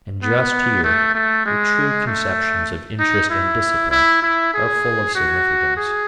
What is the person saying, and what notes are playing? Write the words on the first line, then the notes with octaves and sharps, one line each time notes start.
And just here the true conceptions of interest and discipline are full of significance.
B3
A3
A3
G#3
A3
D#4
E4
E4
E4
G#4
F#4
G#4